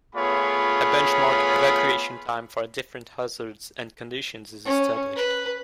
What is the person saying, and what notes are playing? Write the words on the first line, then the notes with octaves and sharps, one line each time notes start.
A benchmark "evacuation time" for different hazards and conditions is established.
A3 B3 F4 G#4 C#5 B5
C#4
B4